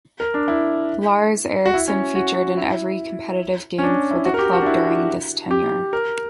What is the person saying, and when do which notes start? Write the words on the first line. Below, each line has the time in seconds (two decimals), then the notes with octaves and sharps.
Lars Eriksson featured in every competitive game for the club during this tenure.
0.20 A#4
0.34 D4
0.48 E4
1.66 F#4
1.74 E4
1.88 C#4
2.15 F#4
2.57 E4
3.78 C#4
3.83 D4
4.11 E4
4.25 F#4
4.34 A#4
4.39 G4
4.53 F#4
4.62 D4
4.66 E4
5.51 G4
5.93 A#4